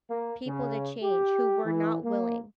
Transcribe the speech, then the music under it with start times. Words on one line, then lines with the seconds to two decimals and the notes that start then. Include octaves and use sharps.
people to change who were not willing
0.10 A#3
0.47 C#3
1.01 G4
1.65 E3
2.03 A#3